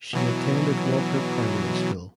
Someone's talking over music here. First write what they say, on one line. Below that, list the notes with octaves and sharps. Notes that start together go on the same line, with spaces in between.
She attended Walker Primary School.
B2 E3 F#3